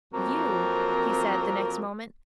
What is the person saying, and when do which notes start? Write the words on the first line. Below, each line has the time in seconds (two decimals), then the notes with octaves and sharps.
"You?" he said, the next moment.
0.13 F2 F#3 A#3 C4 A#4